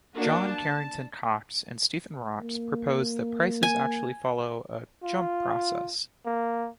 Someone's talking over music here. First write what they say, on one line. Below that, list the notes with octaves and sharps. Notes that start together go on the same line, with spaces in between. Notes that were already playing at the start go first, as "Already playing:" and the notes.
John Carrington Cox and Stephen Ross proposed that prices actually follow a 'jump process'.
A#3 D4 F#4
A5
A#3
G#5
F4
A#3